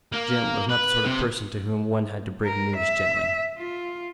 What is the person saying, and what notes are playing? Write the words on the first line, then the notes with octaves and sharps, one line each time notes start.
Jim was not the sort of person to whom one had to break news gently.
A#3
B4
C3
A#4
E5
F4